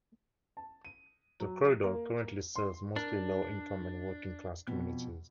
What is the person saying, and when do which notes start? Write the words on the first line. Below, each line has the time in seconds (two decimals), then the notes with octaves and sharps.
The corridor currently serves mostly low-income and working-class communities.
0.57 A5
0.85 D#7
1.40 F#3
1.84 A#3
2.56 C6
2.96 D4 A#4
4.67 F2 B2